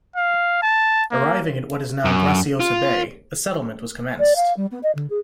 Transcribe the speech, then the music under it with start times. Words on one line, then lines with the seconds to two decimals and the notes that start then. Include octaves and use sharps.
Arriving at what is now Graciosa Bay, a settlement was commenced.
0.16 F5
0.62 A5
1.11 A#3
2.05 F#2
2.60 F4
4.19 D5
4.36 F5
4.56 G3
4.71 B3
4.83 D#5
4.95 D3
5.10 G#4